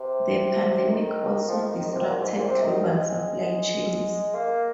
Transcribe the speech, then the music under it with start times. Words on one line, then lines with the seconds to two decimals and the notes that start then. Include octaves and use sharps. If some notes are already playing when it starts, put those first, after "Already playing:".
The pandemic also disrupted global supply chains.
Already playing: C3
0.90 D#3
1.48 F3
1.63 D#3
1.76 D#3
1.91 C3
2.05 A#2
2.19 G#2
2.34 A#2
2.47 C3
2.62 D#3
2.91 G#3
4.34 A#3